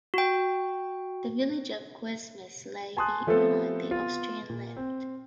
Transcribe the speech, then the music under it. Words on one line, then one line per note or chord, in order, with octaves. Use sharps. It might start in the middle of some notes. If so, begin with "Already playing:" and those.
The village of Cuesmes lay behind the Austrian left.
F#4 G5
G#5 A5 C6 D#6 F#6
F3 A3 B3 C4 A4
B3 F4
A#2
C4